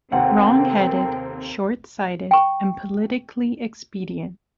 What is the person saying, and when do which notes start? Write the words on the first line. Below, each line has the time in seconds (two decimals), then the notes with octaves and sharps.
Wrongheaded, shortsighted, and politically expedient.
0.12 D#2 C3 C4 A4 A#4 F#5 G5
2.31 G5 C#6